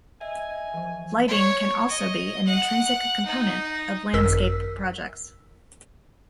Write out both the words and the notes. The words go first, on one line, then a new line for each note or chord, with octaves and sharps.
Lighting can also be an intrinsic component of landscape projects.
D#5 E5 G#5
E3 F3
C#5
D#5
F#5
D#4
G#1 F#2 A#4 E6 B6